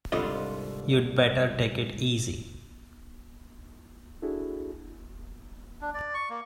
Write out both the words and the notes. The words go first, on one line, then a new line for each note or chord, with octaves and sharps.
You'd better take it easy.
C2 G#2 D3 G3 F4 D#5
D4 E4 F#4 G#4 A4
D4
D5
C#6
A#3